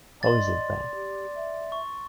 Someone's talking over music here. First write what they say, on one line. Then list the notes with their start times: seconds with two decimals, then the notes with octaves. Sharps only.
How is it bad?
0.23 D5 D#5 C6 A6
0.94 G4
1.35 E5
1.72 C#6